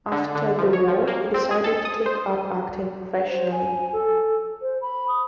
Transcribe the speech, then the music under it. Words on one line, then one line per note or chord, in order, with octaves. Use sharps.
After the war he decided to take up acting professionally.
D3
D3
F3
C#5
F3
A#3
C4
G#4
A4
D#6
C5
C5
G#5
A4
C5
B5
D#6